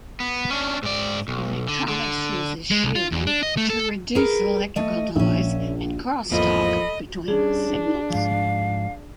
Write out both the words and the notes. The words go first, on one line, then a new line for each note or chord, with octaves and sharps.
Electronics uses shielding to reduce electrical noise and crosstalk between signals.
B3
C#4 D4
G#2 D5
B1
D3
D3
G#3
C2
F4
E2
D4
D#5
A3
A4
G#4 A#4 B4
A3 D#5
A#1 C#4 E5
G#1 E2 F3 A#3 A4 D#5 B5
G3 C#4 D4 G#4
G#2 F3 F5